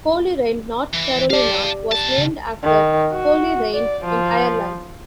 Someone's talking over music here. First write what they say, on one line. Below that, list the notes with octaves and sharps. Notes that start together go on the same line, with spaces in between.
Colerain, North Carolina, was named after Coleraine in Ireland.
E3
G4 D5 F5 A5
C3 A5
C#3
D#3
F#4
D5
F3